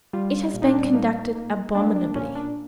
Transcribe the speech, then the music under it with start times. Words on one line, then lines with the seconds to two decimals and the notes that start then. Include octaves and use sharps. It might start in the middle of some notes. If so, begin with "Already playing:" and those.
It has been conducted abominably.
0.13 G3 F4
0.54 A#2
0.62 D#4
0.67 D4
0.94 A#3 D#4
1.35 A#3
1.75 A#3 D4
1.96 D4
2.15 A#2 C#4
2.35 D4